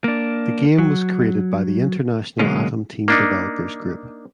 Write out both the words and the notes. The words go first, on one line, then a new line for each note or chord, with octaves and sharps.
The game was created by the international Atom Team developers group.
A#3 D4
F#3
B2 D3 F#3 G#3 A#3 C#4
A#3 D4 D#4